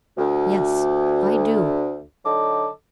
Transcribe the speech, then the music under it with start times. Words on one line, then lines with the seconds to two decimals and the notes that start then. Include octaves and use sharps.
"Yes, I do."
0.18 D2
2.24 D3 F#3 D#4 A4 D6